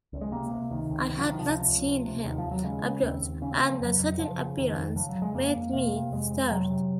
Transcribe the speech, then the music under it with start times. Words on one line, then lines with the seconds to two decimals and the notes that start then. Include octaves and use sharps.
I had not seen him approach, and the sudden appearance made me start.
0.13 C#2
0.21 G#3
0.32 C3 A#3
0.51 C3
0.70 C#2 D#3
0.90 C#2
1.09 C3 D#3
1.19 F3
1.29 C3 D#3
1.38 F3
1.48 C#2
1.67 C#2
1.86 C3
2.06 C3
2.25 D#2 D#3
2.38 F3
2.45 D#2
2.51 F#3
2.64 C#3 G#3
2.83 C#3
3.02 D#2 C4
3.22 D#2
3.42 C#3 C#4
3.51 C4
3.61 C#3 A#3
3.70 F3
3.80 F2 F#3
3.99 F2
4.18 C#3 F3
4.38 C#3
4.57 F2 D#3
4.77 F2
4.96 C#3 F3
5.09 F#3
5.15 C#3
5.22 G#3
5.34 F2 A#3
5.54 F2
5.73 C3 A#3
5.93 C3
6.12 F2 G#3
6.32 F2
6.50 C3 F#3
6.70 C3